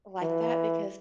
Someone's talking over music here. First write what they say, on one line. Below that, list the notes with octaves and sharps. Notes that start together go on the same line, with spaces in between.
like that? Because
E3